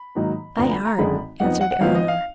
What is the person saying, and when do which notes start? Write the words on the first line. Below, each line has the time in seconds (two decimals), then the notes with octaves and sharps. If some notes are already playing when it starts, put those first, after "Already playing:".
"By heart," answered Eleanor.
Already playing: B5
0.15 G#2 D#3 F#3 A#3 D#4
0.57 D2 D3 F3 B3 A#5
0.71 B5
0.85 A#5
0.98 G#1 F#2 D3 G#3 B5
1.40 F2 F3 B3 D#4 F#5
1.61 F#5
1.71 F#5
1.81 G#1 G#2 F3 B3 F5
1.95 D#5
2.08 F5